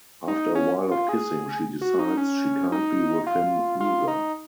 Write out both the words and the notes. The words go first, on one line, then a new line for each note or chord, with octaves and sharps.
After a while of kissing she decides she can't be with him either.
D#4
C#4
F4
G#4
F#4
D#4
C#4
D#4
F4
F4
D#4